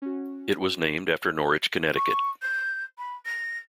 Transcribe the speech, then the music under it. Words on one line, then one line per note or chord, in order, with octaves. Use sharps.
It was named after Norwich, Connecticut.
C#4 F#4
C#6
G6
B5
A#6